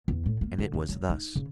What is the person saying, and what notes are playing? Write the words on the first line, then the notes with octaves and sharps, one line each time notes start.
And it was thus.
E2
A2
A#3
D3
C#3
F#3
D#4
C#3